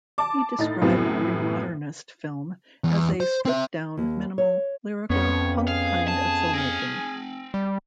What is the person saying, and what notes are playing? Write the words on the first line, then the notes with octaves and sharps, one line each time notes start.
He described Remodernist film as a "stripped down, minimal, lyrical, punk kind of filmmaking".
A5 D6
A2 D#4 A6
F#2 A2 C3 F#3 B3
E2
C5
C4 E5
D#2
C#5
F2 B3 C#4 C#5
G#4 F5
A5
C4 G#5
G3